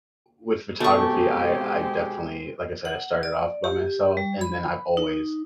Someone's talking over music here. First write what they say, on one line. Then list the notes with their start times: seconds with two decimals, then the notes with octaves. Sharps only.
with photography, I I definitely like I said, I started off by myself, and then I've always
0.80 G#2 B2 G#3 A3 C4 G4 G#4 C#6
2.85 F#5
3.23 D5
3.64 G4
4.17 G3
4.41 B5
4.97 D#4